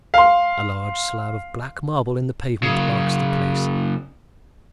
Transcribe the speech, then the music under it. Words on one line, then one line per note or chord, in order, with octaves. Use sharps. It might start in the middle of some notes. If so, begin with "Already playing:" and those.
A large slab of black marble in the pavement marks the place.
F5 C6
F#2 C#3